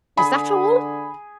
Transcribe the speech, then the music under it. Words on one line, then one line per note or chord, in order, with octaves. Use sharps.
'Is that all!
D3 G#4 B5